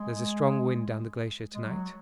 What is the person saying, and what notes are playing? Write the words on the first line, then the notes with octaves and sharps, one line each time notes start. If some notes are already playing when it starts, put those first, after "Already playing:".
There is a strong wind down the glacier to-night.
Already playing: G#3
G#3
F#3